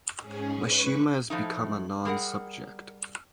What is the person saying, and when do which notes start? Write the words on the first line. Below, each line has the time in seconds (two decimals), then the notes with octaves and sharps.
Mishima has become a non-subject.
0.21 G#2 C#4 G#4
0.58 B4 C#6
1.30 A2 F3 A3 D#4
2.05 G3 G#4 A#4 F#5